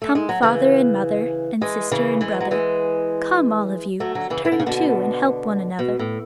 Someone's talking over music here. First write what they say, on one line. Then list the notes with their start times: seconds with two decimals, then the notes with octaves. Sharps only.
"Come, father and mother, And sister and brother, Come, all of you, turn to And help one another."
0.02 A3
0.15 G#3
0.29 F#3
0.42 C#3 E3
1.61 E3 G#3
1.91 C#3 E3
2.21 E3 G#3
2.41 F#3
2.51 E3 G#3
4.00 F#3 A3
4.15 D3 F#3
4.30 C#3 E3
4.45 E3
4.52 D3
4.60 C#3
4.66 B2 D3
5.79 B2
5.99 A2